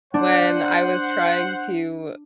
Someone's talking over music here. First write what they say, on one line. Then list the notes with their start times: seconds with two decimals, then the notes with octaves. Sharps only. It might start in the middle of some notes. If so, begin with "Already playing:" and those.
When I was trying to,
0.14 D4 C5 F#5